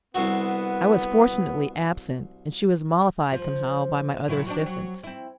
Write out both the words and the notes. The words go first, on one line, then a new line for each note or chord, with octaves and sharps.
I was fortunately absent, and she was mollified somehow by my other assistants.
C2 C3 B3 F#4
F3
A#2 F#3 E4
F#3 C4 D4
F#3
C4 E4